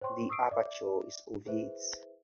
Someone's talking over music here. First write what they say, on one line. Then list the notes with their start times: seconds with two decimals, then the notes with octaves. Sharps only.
The aperture is ovate.
0.01 C5 C#5 G5 C6 C#6
0.29 C#6 D#6 E6 C7 D7
0.51 D5 E5 D6
1.45 E4 G#4 B4 C5 E5